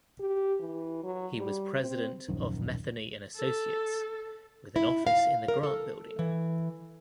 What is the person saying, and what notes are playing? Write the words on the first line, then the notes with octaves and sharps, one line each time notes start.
He was president of Metheny and Associates with an office in the Grant Building.
G4
E3
F#3
G3
C4
D#1 A#1 F#2 D#3
A4
E4
F5
A#4
A4
E3